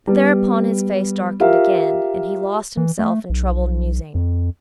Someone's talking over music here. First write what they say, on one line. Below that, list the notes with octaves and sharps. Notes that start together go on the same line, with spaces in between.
But thereupon his face darkened again, and he lost himself in troubled musing.
G3 B3
F4 G4 A#4 E5 F5
E3
A3
B1
F2